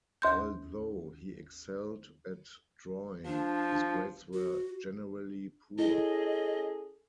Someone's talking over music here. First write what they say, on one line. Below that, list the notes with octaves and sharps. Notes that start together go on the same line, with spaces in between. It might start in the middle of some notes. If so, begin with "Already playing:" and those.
Although he excelled at drawing, his grades were generally poor.
D#2 C6 G6
F3 D4
F#4
C#4 E4 G#4 A4 D#5